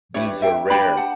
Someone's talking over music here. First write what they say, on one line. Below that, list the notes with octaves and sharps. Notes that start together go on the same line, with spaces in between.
These are rare.
D4 G4 B4 C#5 E5
E5 G5
D4 G4 B4 G5 B5
F#5 A5